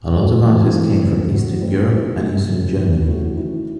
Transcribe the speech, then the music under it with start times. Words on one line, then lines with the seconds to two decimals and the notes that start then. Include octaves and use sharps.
A lot of artists came from Eastern Europe and Eastern Germany.
0.16 F#2 C#3 F#3 A3
0.45 G#2 E3 A3 C4
0.75 E3 A3 C4
1.03 E2 C#3 G#3
1.32 E3 G#3 C#4 F#4
1.61 A2 F#3 C4 E4
1.91 C3 D#3 A3
2.19 C3 F#3 A3 D#4
2.48 F#2 C#3 G#3
2.77 E2 C3 D#3
3.07 E3 A3 C#4 F#4
3.35 D#3 F#3 C#4 E4